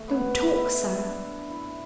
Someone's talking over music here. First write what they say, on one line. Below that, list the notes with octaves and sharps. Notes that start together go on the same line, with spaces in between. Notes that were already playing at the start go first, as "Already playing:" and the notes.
Don't talk so.'
Already playing: A3
B3
E4
D4
E4